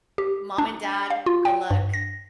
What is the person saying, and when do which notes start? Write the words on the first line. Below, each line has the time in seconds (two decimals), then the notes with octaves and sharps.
"Mom and dad, good luck,"
0.18 G4
0.58 D4
1.10 F5
1.26 F4
1.45 G5
1.71 G2
1.94 A#6